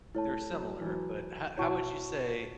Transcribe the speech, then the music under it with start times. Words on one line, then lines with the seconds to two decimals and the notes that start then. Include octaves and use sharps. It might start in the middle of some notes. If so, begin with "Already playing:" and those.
They're similar, but ho how would you say
0.15 A3 E4 C#5 A5
0.51 F#3
0.81 E3
0.86 F#3
1.57 B2 E4 C#5 F#5 A5 C#6